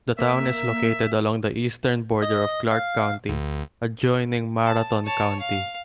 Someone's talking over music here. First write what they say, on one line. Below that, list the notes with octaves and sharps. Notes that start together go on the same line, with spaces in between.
The town is located along the eastern border of Clark County, adjoining Marathon County.
A#3 E5
D#5
F5
D2
A5
C#5 A5
F5